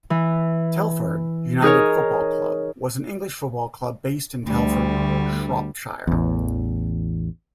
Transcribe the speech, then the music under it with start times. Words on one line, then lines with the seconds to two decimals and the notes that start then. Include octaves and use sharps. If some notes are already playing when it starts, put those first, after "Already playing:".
Telford United Football Club was an English football club based in Telford, Shropshire.
0.10 E3
1.62 D#4 G#4 A#4 C#5
4.46 D2 G3
6.07 A1 E2